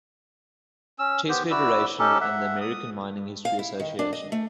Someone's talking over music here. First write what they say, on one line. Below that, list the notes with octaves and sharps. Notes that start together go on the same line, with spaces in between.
Chess Federation and the American Mining History Association.
C#4 E6
B3 G4 C5
E4 F#4 D5 E6
C#4 D#4 G4 A4
E5 F#5
D#6
F5
E4
D#3
D4
D#5
A3